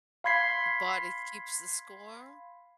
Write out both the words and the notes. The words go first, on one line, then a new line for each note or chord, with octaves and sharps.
The Body Keeps the Score?
F5 B5 C6 G#6 B6 C7